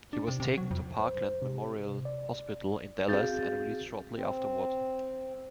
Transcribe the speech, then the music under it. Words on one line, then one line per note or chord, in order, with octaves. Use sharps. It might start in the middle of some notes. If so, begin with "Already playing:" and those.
He was taken to Parkland Memorial Hospital in Dallas and released shortly afterward.
D4
C3
C3
F#3
F2
C5
C3
D5
C4 F#4 G#4 F5 G6 A6
C4